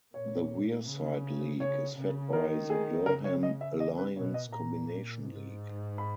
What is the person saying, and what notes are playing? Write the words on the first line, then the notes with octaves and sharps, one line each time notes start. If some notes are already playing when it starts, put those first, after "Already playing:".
The Wearside League is fed by the Durham Alliance Combination League.
A#2 C#5
C#3
C#3 C#5
C#3
D#3 A#4
G#4
C#3 A#4
C#5
D#5
E5
D#5
B4
B2 C#5
D#5
A#2 A#5
G#2
B5